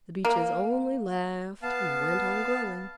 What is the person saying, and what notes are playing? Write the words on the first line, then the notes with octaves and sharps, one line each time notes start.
The Beeches only laughed and went on growing.
A#3
B3 F5 A5